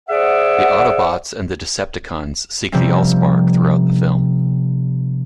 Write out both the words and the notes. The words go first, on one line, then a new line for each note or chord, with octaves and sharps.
The Autobots and the Decepticons seek the AllSpark throughout the film.
G#4 C5 D5 E5 F#5
C3 F3 G3 A#3 C4 C#4